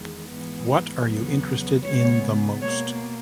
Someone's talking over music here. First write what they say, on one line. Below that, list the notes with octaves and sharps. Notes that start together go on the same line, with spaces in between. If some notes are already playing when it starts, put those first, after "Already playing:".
What are you interested in the most?
Already playing: E2 D#3 G#3
G#2 E3 B3
E2 C#3 F#3 B3
C#3 G#3 B3 C#5
B2 A#3 C#5